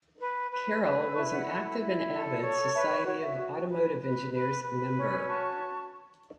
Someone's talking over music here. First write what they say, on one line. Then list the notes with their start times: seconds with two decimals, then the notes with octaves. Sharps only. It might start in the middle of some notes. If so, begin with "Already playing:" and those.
Carroll was an active and avid Society of Automotive Engineers member.
0.20 B4
0.52 B4
0.84 B4 E5 A5
1.08 E6
1.16 E4 A5 C#6
1.31 F#5 B5
1.47 A4
1.79 E4
2.11 A4
2.42 C#5
2.74 B4 E5 A5
2.90 E5
3.06 F#4 C#5
3.22 E5
3.38 F#4
3.69 B4
4.00 B4
4.33 B4
4.64 B4
4.95 C#4
5.17 E6
5.27 F#4 A5 C#6